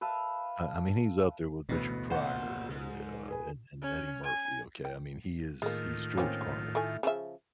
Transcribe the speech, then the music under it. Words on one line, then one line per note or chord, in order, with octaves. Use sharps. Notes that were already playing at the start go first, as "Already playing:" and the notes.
I I mean, he's up there with Richard Pryor, eh, uh, and and Eddie Murphy, okay? I mean, he is he's George Carlin,
B4 E5 F5 A5
A1 D2 B2 B3
A#2 C5 F#5
C#2 G#2
G#4 B4 G#5
C#4
G#5
G5
A2 D#3 G#3 A#3 F4
A#3 C4 C#4
A3 E4 G#5
C#3 F3 E5